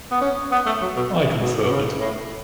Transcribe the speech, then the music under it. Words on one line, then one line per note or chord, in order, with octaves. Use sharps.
I confirm it.
B3
C#4
B3
A3
F#3
B2
B2
B2
C#3
A2